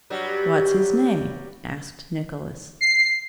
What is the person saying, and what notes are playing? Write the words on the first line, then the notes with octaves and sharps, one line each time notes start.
"What's his name?" asked Nicolas.
G2 F#3 G3
C7